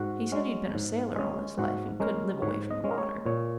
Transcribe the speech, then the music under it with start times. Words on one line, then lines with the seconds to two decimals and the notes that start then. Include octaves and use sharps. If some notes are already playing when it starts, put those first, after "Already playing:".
He said he'd been a sailor all his life and couldn't live away from the water.
Already playing: G#2 F#4
0.32 G#3 C#4
0.75 G#2
1.16 G#3 C#4
1.58 G#2 F#4
2.00 G#3 C#4 A#4
2.42 G#2 C#5
2.71 D#5
2.84 G#3 C#4
2.91 A#4
2.98 C#5
3.26 A#2 C#5